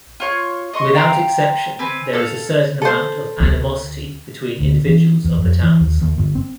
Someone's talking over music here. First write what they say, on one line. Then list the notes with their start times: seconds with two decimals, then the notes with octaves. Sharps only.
Without exception, there is a certain amount of animosity between individuals of the towns.
0.20 F4 C#5 C#6
0.73 D#5 C6 C#6
0.93 F5 G5 A#5 C6
1.79 C4 B4 G#5
2.13 A4 F5 E6
2.82 A4 C5
3.40 D2
4.60 D2
4.87 E3
5.24 E2
5.40 F2
5.63 E3
5.80 D#2
6.02 D#2
6.18 G1
6.35 C4